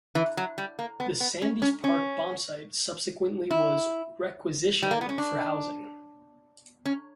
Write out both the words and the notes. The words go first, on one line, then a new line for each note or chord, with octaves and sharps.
The Sandheys Park bombsite subsequently was requisitioned for housing.
E3
F#3
G3
A#3
B3
B3
C#4
C#4
C#4
E4
G3
A#3
B3
C#4
D4
C#4